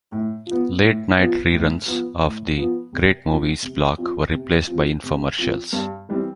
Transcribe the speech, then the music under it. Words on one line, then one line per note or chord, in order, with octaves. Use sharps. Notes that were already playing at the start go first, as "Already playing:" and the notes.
Late night reruns of the "Great Movies" block were replaced by infomercials.
A2
F3 B3
A2
F3 B3
A2
F3 B3
A2
F3 B3
C3
F3 C4
C3
F3 C4
C3
F3 C4
C3
F3 C4
G2
E3 G3 C4